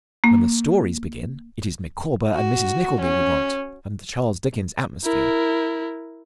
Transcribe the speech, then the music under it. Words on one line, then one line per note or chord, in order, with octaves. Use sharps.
When the stories begin, it is Micawber and Mrs. Nickleby we want, and the Charles Dickens atmosphere.
A#3
F#4
C#4
E4 A#4